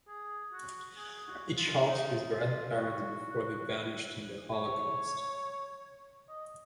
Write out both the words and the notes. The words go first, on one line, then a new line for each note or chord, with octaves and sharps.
It shows his grandparents before they vanished in the Holocaust.
G#4
F#4
G#4
F#4
F4
D#4
F4
F#4
C#5
D#5